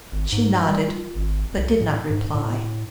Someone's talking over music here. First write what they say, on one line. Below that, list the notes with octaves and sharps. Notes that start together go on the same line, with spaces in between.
She nodded, but did not reply.
G#1
G#2
G3
F4
G#1
C2
A2
G#2
A2